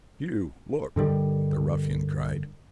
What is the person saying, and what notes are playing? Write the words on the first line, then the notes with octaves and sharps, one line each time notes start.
"You, look!" the ruffian cried.
G2 D3 D#3 G3